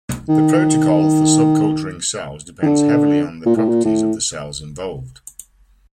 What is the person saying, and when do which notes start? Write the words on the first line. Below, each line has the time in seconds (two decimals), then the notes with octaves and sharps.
The protocol for subculturing cells depends heavily on the properties of the cells involved.
0.29 D#3
2.62 D#3
2.66 D3
3.46 A#2
3.56 A2
3.68 A#2
3.85 A2